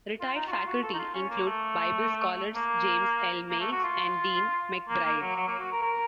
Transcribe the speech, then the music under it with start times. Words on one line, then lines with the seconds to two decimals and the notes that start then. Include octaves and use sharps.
Retired faculty include Bible scholars James L. Mays and Dean McBride.
0.21 F4
0.36 D#4
0.48 F#4
0.51 F4
0.67 F#4
0.82 A4
0.94 D#4
0.98 F4
1.14 C#4
1.30 A#3
1.45 A3
2.55 A#3
3.49 A#3
3.60 A3
3.72 F#4
3.84 F4
4.89 A#3
5.04 A#3
5.20 F#3
5.36 F#3
5.48 A#3
5.59 F#4
5.72 A#4
5.82 A#4